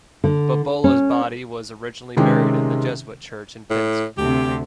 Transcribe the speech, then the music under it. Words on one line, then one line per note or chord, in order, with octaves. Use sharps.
Bobola's body was originally buried in the Jesuit church in Pinsk.
D3
C#4
C3 D#3 G#3 C4 C#4 G4
A2
D2 C3 G4